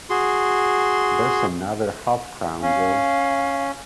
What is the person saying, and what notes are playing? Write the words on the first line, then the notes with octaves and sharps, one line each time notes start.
There's another half-crown, Jo.
F#4 G#4 C6
C#4 F5